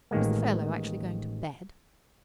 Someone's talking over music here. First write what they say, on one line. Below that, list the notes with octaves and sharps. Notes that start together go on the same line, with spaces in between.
Was the fellow actually going to bed?
A1 D#3 G#3 A#3